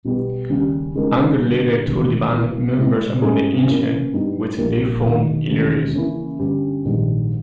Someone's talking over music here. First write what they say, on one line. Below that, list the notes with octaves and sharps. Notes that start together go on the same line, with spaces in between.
Ungerleider told the band members about the incident, which they found hilarious.
B1 B2 G3 B3 G4
D#2 C#3 G3 C#4
C#3 G#3 D#4 A#4
G1 G2 G3 B3
E1 E2 D#3 G#3
B1 B2 A#3 E4
A#2 G#3 B3 E4
G#2 G3 C#4 E4 G#4
B2 A#3 C#4 E4
G2 G3 B3 D#4
A#1 A#2 G3 A#3 E4
E1 E2 D#3
E1 D#2 C#3 G#3
C#3 E3 A#3 C#4 E4
G1 G2 G3 C#4 G4
A#1 G#2 D#3 G3